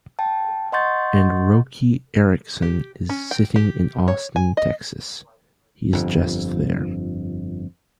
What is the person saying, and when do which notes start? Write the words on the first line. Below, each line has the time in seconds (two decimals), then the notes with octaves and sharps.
And Roky Erickson is sitting in Austin, Texas; he's just there.
0.19 G5 A5
0.72 D#5 F#5 C6 C#6 G6 A6
2.62 G4
3.09 C#4
3.31 G5
3.56 G4
4.08 C#5
4.36 G#5
4.57 D#5
5.93 G1 F2